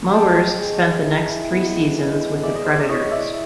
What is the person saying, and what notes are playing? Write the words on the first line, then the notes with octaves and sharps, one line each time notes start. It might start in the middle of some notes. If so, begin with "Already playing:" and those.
Mowers spent the next three seasons with the Predators.
Already playing: C#4
G#3 G5 A5
G#3
E4
B3
G#3
G#3 D5 E5
D#5
C5 D5
E4 C#5 D#5
D5 E5